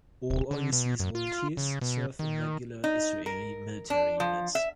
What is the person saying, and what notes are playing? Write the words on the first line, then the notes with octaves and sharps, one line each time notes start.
All overseas volunteers serve in regular Israeli military units.
D#1
D3
B2
F#2
F4
C#3
B2
D#3
D#4
A#4
D4
F3
E5